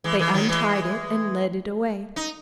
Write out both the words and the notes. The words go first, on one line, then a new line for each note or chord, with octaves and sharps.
They untied it, and led it away.
E3 G#3
E3 G#3
D#3 F#3
E3 G#3
D#4